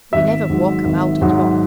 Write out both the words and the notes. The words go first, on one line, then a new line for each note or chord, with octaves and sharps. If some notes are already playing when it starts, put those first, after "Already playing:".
We never walk about any more.
G#1 E5
G#2 F#3
G#1
G#2 F#3